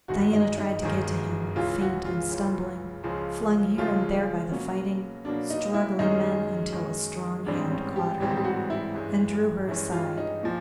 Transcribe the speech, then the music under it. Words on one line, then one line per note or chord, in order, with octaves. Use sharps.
Diana tried to get to him, faint and stumbling, flung here and there by the fighting, struggling men, until a strong hand caught her and drew her aside.
G1 F#2 D#3 G#3 F#4
D#4
D#4
G1 F#2 D#3 G#3
C#2 C#3 E3 F4
F#4
F4
C#2 C#3 E3
C#2 C#3 F3 G#3
C#2 C#3 F3 G#3 F4
B2 F#3 A#3 C#4
B2 F#3 A#3 D4
D#4
E4
F#2 D#3 G#3 C#4 D#4
F#2 D#3 G#3 C#4
A1 G#2 E3 G3 C4 D4
C#4
G4
A1 G#2 E3 G3 C4 G4
G4
F#4
E4
G2 E3 G#3 C#4
G2 E3 G#3 C#4 E4
F4
D#4
A#2 F3